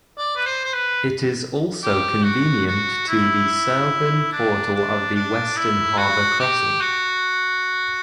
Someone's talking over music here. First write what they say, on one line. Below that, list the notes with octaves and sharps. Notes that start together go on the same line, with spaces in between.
It is also convenient to the southern portal of the Western Harbour Crossing.
D5
B4
C5
C5
B4
G4
F#4
F#4
E4
D4
D4
D4
E4
F#4
G4
F#4